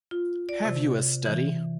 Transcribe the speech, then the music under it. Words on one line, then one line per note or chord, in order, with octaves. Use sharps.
Have you a study?
F4
D5
C3
E3